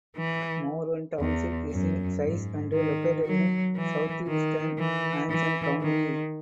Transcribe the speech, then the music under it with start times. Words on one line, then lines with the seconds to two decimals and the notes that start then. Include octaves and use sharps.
Morven Township is in size and located in southeastern Anson County.
0.17 E3
1.19 E2
1.71 F#2
2.23 G#2
2.73 D#3
3.25 F#3
3.76 E3
4.27 D#3
4.79 E3
5.30 E3
5.81 D#3